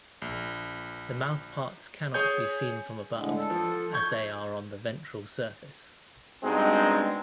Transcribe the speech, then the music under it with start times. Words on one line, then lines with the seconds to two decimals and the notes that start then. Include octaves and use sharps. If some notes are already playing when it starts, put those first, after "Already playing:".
The mouthparts cannot be seen from above as they are on the ventral surface.
0.22 A#1
2.14 G#4 C#5 G#5 G6
3.12 A2 D3 G#3
3.36 A4
3.50 F3
3.93 C#6 G6 G#6
6.43 G2 B2 G#3 C4 D#4